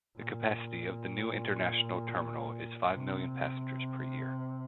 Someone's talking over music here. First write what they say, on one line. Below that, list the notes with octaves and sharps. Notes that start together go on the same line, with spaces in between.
The capacity of the new international terminal is five million passengers per year.
A#2
C3